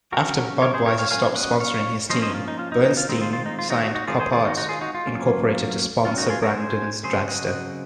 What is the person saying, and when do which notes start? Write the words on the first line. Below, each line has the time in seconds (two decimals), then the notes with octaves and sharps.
After Budweiser stopped sponsoring his team, Bernstein signed Copart Incorporated to sponsor Brandon's dragster.
0.12 F#3 C#4 F#4 A#4
0.62 A#4 C#5
0.74 G#4 C5
0.86 A#4 C#5
0.98 C#5 F5
1.11 F#3 C#4 F5 G#5
1.36 D#5 F#5
1.61 C#5 F5
2.10 F3 A#3 C#4 C5 D#5
2.22 C5 D#5
2.30 D#4
2.34 F4
2.48 D#4
2.59 F4
2.72 D#4
2.85 D#4
2.97 F4
3.09 D#3 G#3 C4 D#4
3.21 F4
3.33 F4
3.46 D#4
3.59 F4
3.70 D#4 F#4
3.83 D#4 F#4
3.95 D#4 F#4
4.07 D#3 G#3 C4 F4 G#4
4.20 G#4 C5
4.32 F4 G#4
4.45 D#4 F#4
4.57 D#4 F#4
4.69 F4 G#4
4.81 D#4 F#4
4.94 F4
5.07 F#3 A#3 C#4
6.05 F#3 C#4 F4
6.18 D#4 F#4
6.30 F4 G#4
6.42 F#4 A#4
6.54 G#4 C5
7.03 C#3 F#3 C4 G#4 C5
7.29 D#5 F#5